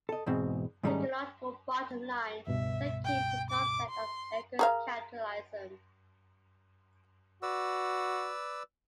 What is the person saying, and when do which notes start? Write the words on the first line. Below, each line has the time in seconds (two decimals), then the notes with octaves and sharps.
The ecological bottom line is akin to the concept of eco-capitalism.
0.09 A4 D#5
0.26 E2 G#2 B2 C4
0.83 G#2 D#3 G3 A3 C#4 A#5
2.47 C#2 G2 B2 E5
3.05 G5
3.50 D6
3.89 C6
4.59 G#4 A#4 F5
7.43 F#4 B4 D5 E6